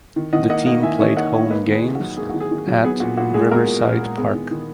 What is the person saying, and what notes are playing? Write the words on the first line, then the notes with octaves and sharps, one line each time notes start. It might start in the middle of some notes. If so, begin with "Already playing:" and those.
The team played home games at Riverside Park.
D#3
D#3 D#5 F#5
A#3 D#5 F#5
A#3 D#5 F#5
D#3 E5 G#5
D#3 C#5 E5
A#3 D#5 F#5
A#3 C#5 E5
A#3 B4 D#5
D#3
G#4 B4
D#3
F#4
F#3
A#3 G#4
D#3 F#4
G#4
D#3
F#3
B3 G#4
A#2 F#4
A#2 F#4
G#3 G#4
B3 F#4 A#4
A#2
A#2
G#3
B3 G#4
D#3
D#3